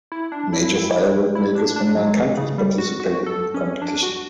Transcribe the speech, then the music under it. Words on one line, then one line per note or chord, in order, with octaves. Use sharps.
Major firework makers from nine countries participated in the competition.
E4
D4
E4
E4
D4
D4
F#3
E3
C#3
G3
F#4
F#4
A4
C#4
D4
F#4